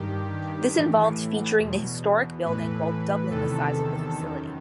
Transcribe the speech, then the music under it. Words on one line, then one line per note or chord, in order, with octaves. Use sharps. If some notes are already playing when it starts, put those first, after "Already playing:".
This involved featuring the historic building while doubling the size of the facility.
Already playing: G2 D#3 G4
A2 E3
E2 B2
A2 E3 B4
E2 C3 D#3 A4
F#2 D#3